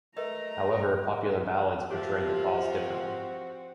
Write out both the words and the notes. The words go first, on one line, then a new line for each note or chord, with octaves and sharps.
However, popular ballads portrayed the cause differently.
A3 A#4 B4 D#5 A#5
F3 G4 E5 A5
C4 F#4